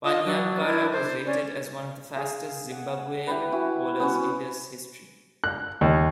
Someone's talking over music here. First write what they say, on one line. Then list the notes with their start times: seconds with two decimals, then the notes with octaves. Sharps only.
Panyangara was rated as one of the fastest Zimbabwean bowlers in their history.
0.04 F4 D#5
0.25 F#3 D4
0.66 E4
0.92 C5
1.26 C#4 D5
2.16 G#4 F5
2.71 F#5
3.27 E4 G4 B4
3.52 E4 F#4 G#5
4.00 B3 C#4 F#4
5.44 F#6
5.81 D#2